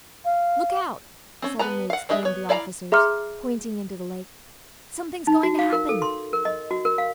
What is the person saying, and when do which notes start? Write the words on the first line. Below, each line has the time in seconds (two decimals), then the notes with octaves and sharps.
"Look out!" suddenly exclaimed the officers, pointing into the lake; "something's going to happen."
0.25 F5
1.42 C4 C#4
1.59 B3 B4 A5 A#5
1.90 F5 F#5
2.09 D4 G4 G#4 D#5 E5
2.23 B3 C#5
2.49 E4 D5 F5 A5 A#5
2.92 G#4 E5 A#5 C6 D6 F6
5.27 D#4
5.43 F#4
5.59 F5
5.72 A#4
5.89 A4
6.02 C6
6.33 A#4
6.45 D#5
6.71 F#4
6.85 A#4
6.98 F5